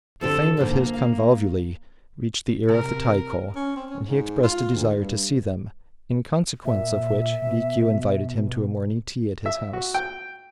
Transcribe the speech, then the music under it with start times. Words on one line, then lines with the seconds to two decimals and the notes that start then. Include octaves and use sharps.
The fame of his convulvuli reached the ear of the Taiko, and he expressed a desire to see them, in consequence of which Rikiu invited him to a morning tea at his house.
0.21 D3 F3 C4 G4 A4
0.57 G#2 D3 F3 A#3
0.94 F5
2.69 C3 A#4
3.56 C#4
3.76 C4
3.90 C#4
4.05 G#2
4.43 F4
4.75 D2
4.94 G2
6.65 A#2 E5
7.42 B2
9.46 E5
9.73 F#4
9.94 G5